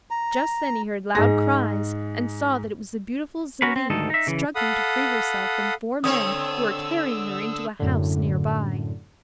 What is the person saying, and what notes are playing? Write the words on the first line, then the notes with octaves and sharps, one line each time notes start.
Just then he heard loud cries, and saw that it was the beautiful Zelie struggling to free herself from four men who were carrying her into a house near by.
A#5
G#2 G#4 A#6
C#4 F#4 A#4 B4
C4
D2 G#2 D#3 D#4 A4
D#4 E5
C#3 E3
A4 F5 F#5 B5 D#6
B3 C4 D4 A4 C#5 D#6 E6
F#2 A2 D3